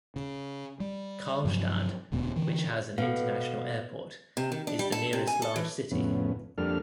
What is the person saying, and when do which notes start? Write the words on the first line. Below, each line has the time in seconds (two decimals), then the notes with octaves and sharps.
Karlstad, which has an international airport, is the nearest large city.
0.16 C#3
0.80 G3
1.45 G2 C3 F3 F#3
2.12 E1 D2 B2 B3
2.36 D3 E3
2.98 B2 A4 F5
4.37 C3
4.52 D#3
4.67 D4
4.79 G3
4.92 A4
5.13 C3
5.27 G#5
5.42 A4
5.56 E3
5.91 F2 A2 C#3 B3
6.58 F2 G3 A#3 D4 A4 F6